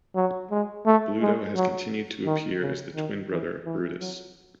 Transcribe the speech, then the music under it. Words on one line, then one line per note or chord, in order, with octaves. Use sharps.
Bluto has continued to appear as the twin brother of Brutus.
F#3
G#3
A3
G#3
F#3
D#3
C#3
D#3
E3
E3
F#3